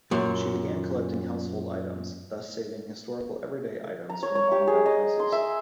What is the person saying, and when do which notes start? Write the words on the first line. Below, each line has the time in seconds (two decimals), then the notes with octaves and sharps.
She began collecting household items, thus saving historical every-day items from bombed-out houses.
0.11 F#2 A#2
4.10 A#5
4.23 C#5
4.35 C#5
4.52 G4
4.67 G#4
4.86 D#5
5.20 C6
5.32 E5